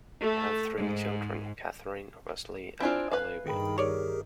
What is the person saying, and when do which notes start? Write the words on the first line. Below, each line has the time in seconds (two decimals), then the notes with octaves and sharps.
They have three children, Katherine, Wesley and Olivia.
0.23 A3
0.78 G#2
2.80 C4 D4 E4 F4 G#5
3.11 B4 F5
3.46 G2 D#3 G#4 G5 B5
3.78 G4 G#4 A#4 C#5 D5